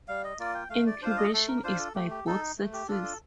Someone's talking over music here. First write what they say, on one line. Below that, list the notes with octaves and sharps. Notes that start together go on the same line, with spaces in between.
Incubation is by both sexes.
G3 F5
D#5
A#3 F4 D5
G5
A3 F5
D5
D4 F4 C5
F5
D#5
A3 A4
A#4
D4 F4 C5
A4
A3 G4
G4
D#4 A4
A3
G4
D4 F4 A4
A4